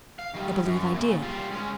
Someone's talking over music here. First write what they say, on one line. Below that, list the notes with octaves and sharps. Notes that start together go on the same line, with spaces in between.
"I believe I did."
F5
D#3 G3
F#2
A#2 C#3
G3 F4
G#3 C#4